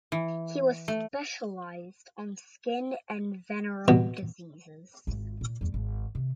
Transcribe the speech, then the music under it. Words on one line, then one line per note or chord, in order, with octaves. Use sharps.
He was specialized on skin and venereal diseases.
E3
A3
B2
G#1 F4
A#2
E2 G3
G#1
C3 D#3